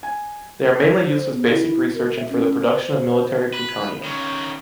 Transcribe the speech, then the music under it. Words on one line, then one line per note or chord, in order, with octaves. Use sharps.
They are mainly used as basic research and for the production of military plutonium.
G#5
C5
B3
E4
A#4
E5
C#4
C5
C5
B4
D#3 C#4